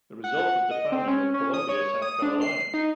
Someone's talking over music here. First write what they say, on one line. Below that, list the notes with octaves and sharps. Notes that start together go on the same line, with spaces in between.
The result was the founding of Columbia, South Carolina.
F#5
D#5
C4
C#4
C#4
D#6
C#5
D#6
D4
C7
D#4